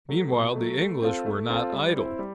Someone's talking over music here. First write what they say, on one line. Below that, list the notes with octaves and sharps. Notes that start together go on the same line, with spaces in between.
Meanwhile, the English were not idle.
F#3 A3
B2
F#3 A3
A3
C4 F4 A4
A3
C4 F4 A4
G3
C4 E4
G3